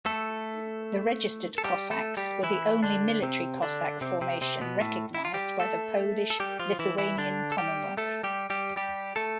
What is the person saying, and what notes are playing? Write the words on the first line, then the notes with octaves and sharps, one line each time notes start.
The registered Cossacks were the only military Cossack formation recognized by the Polish-Lithuanian Commonwealth.
A3 A4
A4
G3 G4
A3 A4
G3 G4
E3 E4
D3 D4
C3 C4
D3 D4
C3 C4
C3 C4
C3 C4
B2 B3
A2 A3
E4
F4
G3 G4
A3 A4
A4
G3 G4
F3 F4
E3 E4
E3 E4
D3 D4
A4
G3 G4
A3 A4
G3 G4
G3 G4
G3 G4
A3 A4